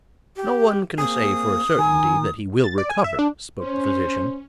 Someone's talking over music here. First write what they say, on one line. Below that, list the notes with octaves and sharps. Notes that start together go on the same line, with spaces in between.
"No one can say for a certainty that he will recover," spoke the physician.
G4
A#3 C4 G#4 D#6
D#3 G#5
A6
D5
G#5
E5
D4
C#4 C5